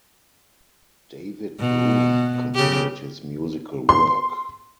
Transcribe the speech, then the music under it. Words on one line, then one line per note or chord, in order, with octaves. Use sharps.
David Broom continued his musical work.
B2
C#3 G4
C6